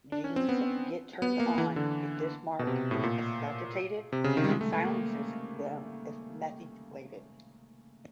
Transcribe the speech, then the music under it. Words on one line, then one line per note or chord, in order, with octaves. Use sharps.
Genes get turned on if this mark is acetylated and silences them if methylated.
D4
C#4
C4
B3
B3
A#3
E3
D3
B2
C3
A2
A#2
C3
C#3
D#3
G3
G#3
A3
A3
A#3